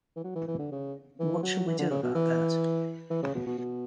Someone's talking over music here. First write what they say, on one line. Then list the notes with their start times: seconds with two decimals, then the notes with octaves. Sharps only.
What shall we do about that?
0.16 E3
0.24 F#3
0.35 E3
0.47 E3
0.59 D3
0.72 C#3
1.20 E3
1.43 F#3
1.67 E3
1.79 D3
1.91 C#3
2.03 B2
2.15 E3
3.10 E3
3.23 C#3
3.35 B2
3.46 B2
3.58 B2